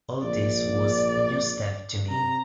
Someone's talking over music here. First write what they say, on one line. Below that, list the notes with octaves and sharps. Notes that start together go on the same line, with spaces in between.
All this was new stuff to me.
A#1 D5
C3 A#5